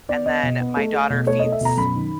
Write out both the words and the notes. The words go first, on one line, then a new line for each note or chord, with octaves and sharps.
and then my daughter feeds
B3 D5
B3 D#5
B2
B3
A3
A3
B2
A3 C#5
A3 D#5
E5
B2 A#5
F#2 B5
D#3